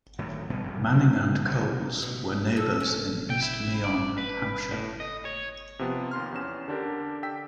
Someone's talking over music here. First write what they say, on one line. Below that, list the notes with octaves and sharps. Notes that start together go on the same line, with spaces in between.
Manning and Coles were neighbors in East Meon, Hampshire.
A2 D3 D#3 F#3
B1 B2 G3 B3
E1 F#2 C3
B2 F#3 A3 A#3
G1 C2 G#2 B2
B2
A4
C#4
G5
E4
D5
B4
A2
D#5
C#5
C3 F3 B3
D#2 C6 F6
E2 C#4 E7
D3 D4 G4 A#4
G5 E6 B6